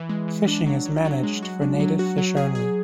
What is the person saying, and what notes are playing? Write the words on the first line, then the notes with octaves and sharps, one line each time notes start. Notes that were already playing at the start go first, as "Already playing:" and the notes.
Fishing is managed for native fish only.
Already playing: E3
G#3
E3
D4
F#3
F#3
F#3
G#3
F#4
D4
F#3
F#4
F#3
G#4
G#4